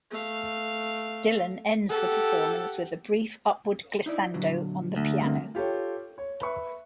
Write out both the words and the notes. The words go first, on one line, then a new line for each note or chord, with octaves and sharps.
Dylan ends the performance with a brief upward glissando on the piano.
A3 F5
G4 A4 F#5
D#4 E4 D5
A#2 D3 F#3
D2
G2 C3 A#3
F4 G4 A4 C#5
C#5
B4 E5 C#6